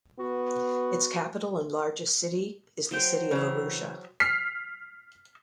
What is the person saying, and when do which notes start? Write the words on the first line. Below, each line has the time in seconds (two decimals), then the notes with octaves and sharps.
Its capital and largest city is the city of Arusha.
0.20 B3 F#4
2.91 F#3 C5 G5
3.31 C#3 E3
4.20 F6 B6 C7